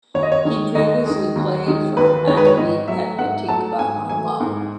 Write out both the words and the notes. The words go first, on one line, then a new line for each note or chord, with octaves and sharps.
He previously played for Maccabi Petah Tikva on loan.
D#2 C#5
D#5
C#5
D#3 G#3
D#2 D#5
D#3 G#3
D#2
D#3 G#3
D#2 B4
D#3 G#3 C#5
B4
C#5
G#2 D#5
F#3 A3 E5
G#2 F#5
F#3 A3 A5
G#2 G#5
F#3 A3 G#5
G#2